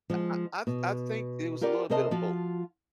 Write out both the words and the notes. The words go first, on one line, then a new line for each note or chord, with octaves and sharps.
I I I th I think it was a little bit of both,
F3 G#3
B2
F4 G4 A#4 D5 F#5
C3 G#4 A#4 C5 D#5 A5
F3 F4 F#4